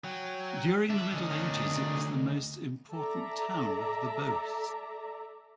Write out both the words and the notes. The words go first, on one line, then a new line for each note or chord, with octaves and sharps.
During the Middle Ages, it was the most important town of the Beauce.
F#3 G5 G#5
D4 A4 C#5 E5
D2 C#4 D#4 G#4 D#5
D#3 D4
A4 D5 E5 A#5